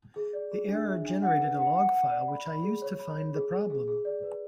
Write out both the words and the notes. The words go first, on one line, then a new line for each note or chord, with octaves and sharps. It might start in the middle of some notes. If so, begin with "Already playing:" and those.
The error generated a log file which I used to find the problem.
G#4
D5
G#4
D4
E5
D4
F#5
B4
F#5
F#5
F#5
D5
B5
B5
G#4
C#5
B5
C#5
G#4
G#4
G#4
G#4
D5
B4